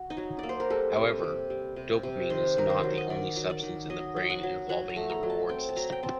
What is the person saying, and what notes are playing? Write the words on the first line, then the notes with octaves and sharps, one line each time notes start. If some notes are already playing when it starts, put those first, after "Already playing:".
However, dopamine is not the only substance in the brain involving the reward system.
Already playing: F#4
D#4
F#3
A#3 D5
C5
A#4
G3 A4
C3
G3
G3
C3
C3
D#3 C5
D#3 A#4
C5
F#3
D#5
D#3 D5
F#3
D5
D#3
F#3 D#5
F#3
F#5
F#3
F#3 F#5
A#5
A3
A#5
F#3
A5
C4 G5
A5
F#3 A#5
G5
C4 A5